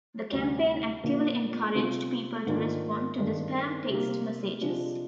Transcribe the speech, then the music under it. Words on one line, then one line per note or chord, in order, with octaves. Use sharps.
The campaign actively encouraged people to respond to the spam text messages.
D2 C3 G3
A#2 F3 A#3 D4
C3 G3 C4 F4
G#2 D#3 A#3 D4 F4
G2 D#3 G#3 D4
C3 G3 A#3
C3 F3 G#3 D4